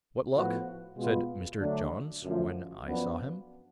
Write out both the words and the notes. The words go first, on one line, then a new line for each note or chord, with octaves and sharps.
"What luck?" said Mr, Johns when I saw him.
A2 F3 B3 F#4
B2 G#3 B3 F4
D3 F#3 A3 D4
F#2 D3 F3 A3
F#2 F3 B3 D4